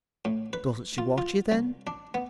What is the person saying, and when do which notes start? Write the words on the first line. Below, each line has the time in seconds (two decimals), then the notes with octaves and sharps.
"Doesn't she watch you, then?"
0.25 A2
0.53 B4
0.98 F4
1.18 F4
1.52 C2
1.87 D4
2.14 B3